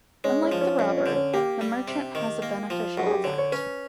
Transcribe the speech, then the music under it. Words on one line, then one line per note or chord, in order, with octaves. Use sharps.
Unlike the robber, the merchant has a beneficial effect.
G#3 C#4
C#4
F3
C#4
F2 C#4
C#4
D3
C#4
A#3 G4
G3
C3
D#3
A#3
F3
F#2 F#4
G#4
G4
D3 C#5
C#5
C#4 B4